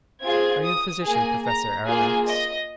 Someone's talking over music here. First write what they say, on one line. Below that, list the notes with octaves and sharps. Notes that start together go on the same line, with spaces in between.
"Are you a physician, Professor Aronnax?"
C4 F4 G#4 G#6
D#6
A#3 G#4 G#5
A#5
A#3 F4 G#4 G#5
D#5